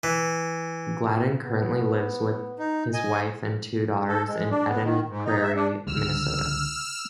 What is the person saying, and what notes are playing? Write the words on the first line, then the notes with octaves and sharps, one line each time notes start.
Gladden currently lives with his wife and two daughters in Eden Prairie, Minnesota.
E3
B3
D#4
D#5 G#5
A4
G#3
D4
B3
D#3
G#2
D#4
E5
D4
C#2 D3 G3 E6 F6